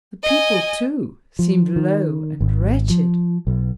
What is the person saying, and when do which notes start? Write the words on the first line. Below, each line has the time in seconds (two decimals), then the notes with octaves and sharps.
The people, too, seemed low and wretched.
0.23 D#5 G#5
1.39 F3
1.76 D#3
2.41 G#1
2.90 F3
3.47 B1